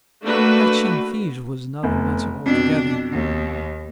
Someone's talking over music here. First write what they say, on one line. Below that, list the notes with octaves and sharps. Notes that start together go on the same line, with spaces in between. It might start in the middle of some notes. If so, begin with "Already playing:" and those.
Catching thieves was another matter altogether.
A3 A#3 D4 F#4 B4
F1 E2
F2 B2 D4
D#2